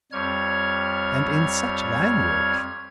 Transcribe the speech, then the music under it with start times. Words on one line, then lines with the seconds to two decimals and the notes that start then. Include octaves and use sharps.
And in such language!
0.12 F2 G3 C#5 F6 G#6